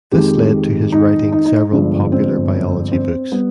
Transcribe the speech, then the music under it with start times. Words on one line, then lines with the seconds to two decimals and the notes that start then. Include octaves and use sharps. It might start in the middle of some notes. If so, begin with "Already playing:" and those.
This led to his writing several popular biology books.
0.12 F2 D#3 G#3 G4
0.92 D#4
1.32 D#4
1.46 D#4
1.72 G1 G2 F3 G#3
2.12 C4
2.92 C4
3.32 G3 B3